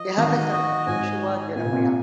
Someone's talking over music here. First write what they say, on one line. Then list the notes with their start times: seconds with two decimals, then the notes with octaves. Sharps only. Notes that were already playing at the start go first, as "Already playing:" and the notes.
They have a son, Joshua Jeremiah.
Already playing: F3 D#5
0.17 D#3 F#4
0.52 D#5
0.87 G#2 G#5
1.21 G#5
1.55 A#2 G#5
1.65 C3
1.73 A#2